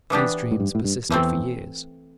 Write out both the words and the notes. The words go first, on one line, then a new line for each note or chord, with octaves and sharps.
These dreams persisted for years.
E3 B3 D4 G4
A2
G2
A2
G2
E2 E3 A3 C4